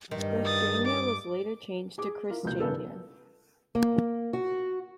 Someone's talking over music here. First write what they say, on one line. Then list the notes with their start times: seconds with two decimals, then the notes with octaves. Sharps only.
"Christiania" was later changed to "Kristiania".
0.11 G2 D#3
0.45 D#6 A6
0.85 D6
1.98 G#4 D6
2.30 E4 F4 A#4
2.43 F1 C#2 B2 G6
2.59 G2 C#3 B3 A4 A#4
3.75 A#3
4.33 F#4